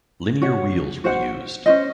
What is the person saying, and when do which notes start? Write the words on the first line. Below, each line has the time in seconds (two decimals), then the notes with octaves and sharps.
Linear wheels were used.
0.41 F#4 C#5 F#5
1.04 F#4 C5 F#5
1.66 C#4 F4 C5 D#5